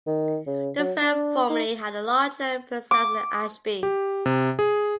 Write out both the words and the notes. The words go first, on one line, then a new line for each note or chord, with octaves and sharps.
The firm formerly had a larger presence in Ashby.
D#3
C#3
F#3
D4
D#4
D6
G4
C3
G#4